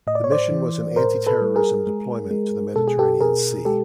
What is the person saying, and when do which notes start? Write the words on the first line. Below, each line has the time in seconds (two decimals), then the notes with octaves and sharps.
The mission was an anti-terrorism deployment to the Mediterranean Sea.
0.07 A2 D#5
0.15 D5
0.24 C#5
0.31 C5 D5
0.52 E3
0.96 A2 A#4 C5
1.26 A4 B4
1.41 G3
1.56 G#4 A#4
1.87 G#3
2.31 G#3
2.76 B2 A4
2.88 G#4
2.99 G4 A4
3.21 B2 G#4 A#4
3.65 G#3 G4 A4